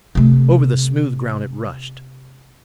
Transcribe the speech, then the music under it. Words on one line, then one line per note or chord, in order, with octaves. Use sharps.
Over the smooth ground it rushed.
C3 A3